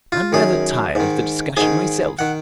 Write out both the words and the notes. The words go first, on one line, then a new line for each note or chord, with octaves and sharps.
"I'm rather tired of the discussion myself."
F4
F#2 D#3 G#4
G#2 D#3
G#2 D#3 G#4
D#3 F#5